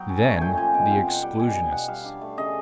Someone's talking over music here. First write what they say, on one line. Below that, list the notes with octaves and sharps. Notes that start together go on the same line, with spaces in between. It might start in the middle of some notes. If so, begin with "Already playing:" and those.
Then the exclusionists.
Already playing: F#3 B3 G5
C#4
A3
A#2 G5 G#5
F3 G#5
B2 G5
C4 F5
B2 F#5
G3 G5
B2 G#5
B3 G5
B2 F#5
G3 F5
D4
A3
C#3 D#5